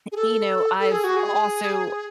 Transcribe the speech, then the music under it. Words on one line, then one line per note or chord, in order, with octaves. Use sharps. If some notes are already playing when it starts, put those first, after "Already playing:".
eh you know, I've also
G#4
A4
A4
G#4
F#4
G#4